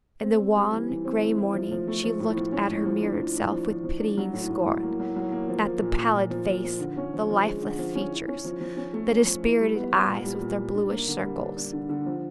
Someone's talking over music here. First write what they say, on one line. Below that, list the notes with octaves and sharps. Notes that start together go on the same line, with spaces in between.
In the wan, grey morning she looked at her mirrored self with pitying scorn--at the pallid face, the lifeless features, the dispirited eyes with their bluish circles.
C4
C4
G3
E3
E3
C4
E4
E4
F3
F3
A3
F3
A2
F3
C#4
A2
F3
D4
F3
D4
F3
F3
F3
D4
F#3
A2
A2
F#3
A#3
F#3
F#3
A#3
F3
F3
A#2
A#2
A#2
F3
A#2
F3
D3
C#4
F3
F3
G#3
D3
F3
C#4
E4
C#4
F3
F3
C#4
A3
C#4
F3
E4
G3
B3
B3
A#2
G3
A#2
G3
D4
A#3
D3
G3
D4
D4
D3
D3
F3